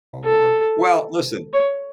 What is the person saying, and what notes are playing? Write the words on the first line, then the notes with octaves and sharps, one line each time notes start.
lord well, listen.
A4
C#5